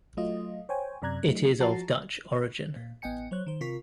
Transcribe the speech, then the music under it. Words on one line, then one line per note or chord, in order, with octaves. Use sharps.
It is of Dutch origin.
F#3 A3 F4 D#5
C5 C#5 G5 G#5
F#2 C3 D5 A#5 F#6 G#6
F#3 A3 D#4
F3 F#4 A5 A#5 A6 C7
A#2
A1 B3 D#5 G5 G#5 C#7
F#3 C5 C#5 F#6
D#3 C5
C3 F4 A#4 C#6 B6